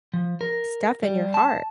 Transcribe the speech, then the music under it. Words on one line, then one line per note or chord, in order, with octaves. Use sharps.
stuff in your heart.
F3
A#4
G3
A5